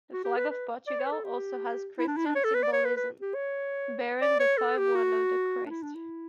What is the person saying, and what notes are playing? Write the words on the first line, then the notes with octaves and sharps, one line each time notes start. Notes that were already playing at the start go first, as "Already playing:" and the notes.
The Flag of Portugal also has Christian symbolism, bearing the five wounds of Christ.
F#4
G4
B4
B4
D5
C#5
B4
A4
G4
E4
D4
E4
D4
C#5
A4
B4
D5
C#5
B4
B4
G4
C#5
D5
C#5
A4
G4
F#4
D4
E4
D4
E4